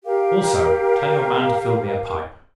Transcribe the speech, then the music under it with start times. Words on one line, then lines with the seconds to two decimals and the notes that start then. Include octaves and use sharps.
Also, tell your man to fill me a pipe.
0.05 G4 A#4 F5